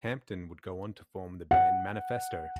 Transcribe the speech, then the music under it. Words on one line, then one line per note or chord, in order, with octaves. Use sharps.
Hampton would go on to form the band Manifesto.
F#5